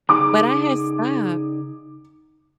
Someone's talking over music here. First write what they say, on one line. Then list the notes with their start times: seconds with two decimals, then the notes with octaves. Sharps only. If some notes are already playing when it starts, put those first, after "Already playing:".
But I had stop.
0.09 C#3 D#4 G#4 D6